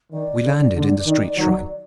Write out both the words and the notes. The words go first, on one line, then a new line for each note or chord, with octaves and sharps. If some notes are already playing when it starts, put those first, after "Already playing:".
We landed in the street-shrine.
D#3 D5
D3
D3
D#3
D#3 F#3